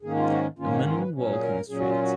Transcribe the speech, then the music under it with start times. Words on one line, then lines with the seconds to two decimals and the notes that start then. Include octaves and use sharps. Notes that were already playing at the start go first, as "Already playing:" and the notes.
A man walks on the street.
0.02 G#2 D#3 A#3 C#4 G#4
0.16 F4
0.30 F#4
0.59 G#2 D#3 A#3 C#4 F4
0.72 D#4
0.86 F4
0.93 A#4
1.00 B4
1.14 A#2 F#3 C#4
1.30 G#4
1.42 A#4
1.69 A#2 F#3 C#4 G#4
1.79 F#4
1.90 F4
2.01 F#4